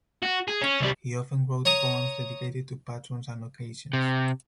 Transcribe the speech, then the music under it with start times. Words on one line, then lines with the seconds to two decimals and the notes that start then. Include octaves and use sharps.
He often wrote poems dedicated to patrons and occasions.
0.22 F#4
0.48 G#4
0.61 C#4
0.80 C2 G3
1.65 C#5 A#5 C#6 D#6
3.93 C3